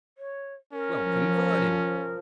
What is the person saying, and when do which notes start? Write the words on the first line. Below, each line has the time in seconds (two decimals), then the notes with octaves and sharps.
We'll convert him!
0.18 C#5
0.73 C#4 A#4
1.04 F3